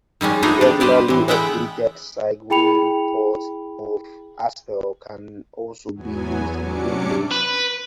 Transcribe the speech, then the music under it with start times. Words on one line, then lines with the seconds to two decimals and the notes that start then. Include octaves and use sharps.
The regularly updated Cygwin port of aspell can also be used in Windows.
0.21 D#3 G3 G#3 C#4
0.42 A3 B3 D4 D#4 G#4
0.61 D4 G4
0.80 G3 G4 B4 C5
1.08 A2 E3
1.28 G#3 B3 E5 F#5 G5
2.50 E4 G#4 G5 B5 C#7 F7
5.94 E2 F#3 B3 G#5
6.55 C3 F#3 C#4 D4 D6 C#7
7.31 B4